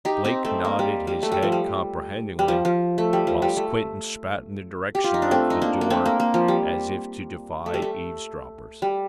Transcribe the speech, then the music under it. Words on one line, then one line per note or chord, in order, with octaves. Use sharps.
Blake nodded his head comprehendingly, whilst Quinton spat in the direction of the door as if to defy eavesdroppers.
D#4 G4
C4 D#4
A3 C4
A#3
G3
G3
A3
G3
F3
G3
G3
F3
F3
A3
G3
F3
G3
A3
G4
F4
D#4
D4
A3 C4
D#4
A#3 D4
A#3
A3 C4
A#3
A#3
F3
G3
A3
G3
A3
G3